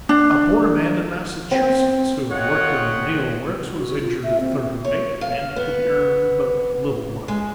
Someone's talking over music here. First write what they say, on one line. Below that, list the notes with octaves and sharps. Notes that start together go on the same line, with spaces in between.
A poor man in Massachusetts who had worked in the nail-works was injured at thirty-eight, and he could earn but little money.
D4
C4
A3 F4 C#5 D#5 F#5 G5
F#4
F4
E5
C4
C#5
F5
B3
G#3